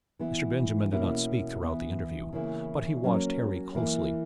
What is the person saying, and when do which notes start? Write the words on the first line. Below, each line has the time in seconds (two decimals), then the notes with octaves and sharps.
Mr. Benjamin did not speak throughout the interview, but he watched Harry closely.
0.19 E3 B3 E4
0.91 B2 A#3 C#4 E4
1.62 E3 B3 E4
2.32 C#3 E3 A#3 E4
3.04 F#3 A#3 C#4
3.75 E3 A#3 E4